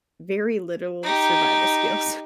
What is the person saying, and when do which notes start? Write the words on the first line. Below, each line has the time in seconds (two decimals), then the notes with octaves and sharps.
very little survival skills.
1.03 D#4 G4